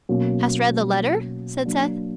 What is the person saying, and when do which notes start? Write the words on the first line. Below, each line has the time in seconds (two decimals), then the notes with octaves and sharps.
"Hast read the letter?" said Seth.
0.09 B2 F#3 A#3 C#4
1.65 F#3 A#3 D4